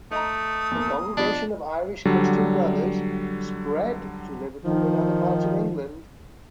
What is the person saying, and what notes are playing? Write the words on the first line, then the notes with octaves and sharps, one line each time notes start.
The congregation of Irish Christian Brothers spread to Liverpool and other parts of England.
A3 D#5 A#5 D#6
E2 A#3
B2 F3 D4
D3 F#3 G3
D#3 F3